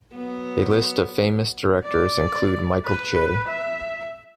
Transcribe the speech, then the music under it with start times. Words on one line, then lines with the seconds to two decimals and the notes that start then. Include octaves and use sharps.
A list of famous directors includes Michael J.
0.14 F#3 B3
1.84 D5
2.85 B4
3.48 E5